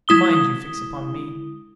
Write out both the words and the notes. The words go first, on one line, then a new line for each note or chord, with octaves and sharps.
Mind you fix upon me!
G#3 E4 D#6 G7